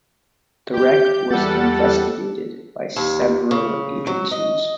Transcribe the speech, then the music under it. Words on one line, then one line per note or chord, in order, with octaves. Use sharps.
The wreck was investigated by several agencies.
G4 G6
E2 G3 A4 F#5 A6
D#2
C#3
F#3
D#5